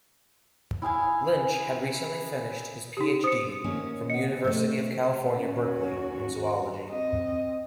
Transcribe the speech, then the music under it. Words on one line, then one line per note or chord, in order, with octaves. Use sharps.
Lynch had recently finished his Ph.D. from University of California, Berkeley in Zoology.
E4 G#4 F5 G#5
D#4 G4
C5 D#6 C#7
D#3 A#3 C#4
D#5 F#5 C#7
B2 A3
D#2 C#4 F#4
C4 D#5